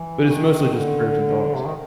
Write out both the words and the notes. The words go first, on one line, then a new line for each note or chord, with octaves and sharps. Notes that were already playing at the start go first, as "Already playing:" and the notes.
But it's mostly just prayers and thoughts.
Already playing: E3
D#3
D3
C3
D#3